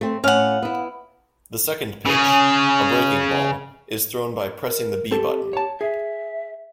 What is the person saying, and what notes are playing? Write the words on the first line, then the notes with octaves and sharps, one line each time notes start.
The second pitch, a breaking ball, is thrown by pressing the B button.
A3 C4
A2 C#4 F5 F#5
B3 E4
C#3 G#4
A#4
C4 G4 A4
C#5 A5
G#4 E5